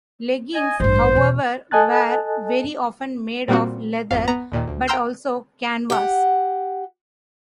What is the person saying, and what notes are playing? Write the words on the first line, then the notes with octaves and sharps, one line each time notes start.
Leggings, however, were very often made of leather, but also canvas.
D#5 G#5
A1 G2 C5
E2 B2
A4 D#5 G#5 A5 F#6 A6
A#2 G3 A#3 C4 F#4
G#1 F2 F5
B3 A#5
D#2 A#2 D#3
D2
G5 A#5 C6 E6 F6 G6
G4 F#5